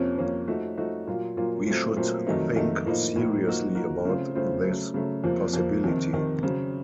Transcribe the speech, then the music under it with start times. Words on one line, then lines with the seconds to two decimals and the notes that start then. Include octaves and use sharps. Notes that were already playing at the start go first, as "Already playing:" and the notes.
We should think seriously about this possibility.
Already playing: F2 C3 F3 A#3 C#4
0.18 F2 C3 F3 A#3 C#4
0.48 F3 A3 D#4 F#4
0.78 F3 A3 D#4 F#4
1.07 A#2 F#3 A#3 F4
1.37 A#2 F#3 A#3 F4
1.67 A#2 F#3 A3 C4
1.96 A#2 F#3 A3 C4
2.27 F2 D#3 F#3 A3 D#4
2.56 F2 D#3 F#3 A3 D#4
2.86 A2 F3 A#3 D#4
3.16 A2 F3 A#3 D#4
3.45 F3 A#3 D#4 F#4 A#4
3.75 F3 A#3 D#4 F#4 A#4
4.05 C#3 A3 C4 F4 C5
4.35 C#3 A3 C4 F4 C5
4.65 C#3 F#3 A3
4.94 C#3 F#3 A3
5.24 F2 C3 F3 A#3
5.54 F2 C3 F3 A#3
5.84 F2 C3 D#3
6.13 F2 C3 D#3
6.43 C#3 F#3 C4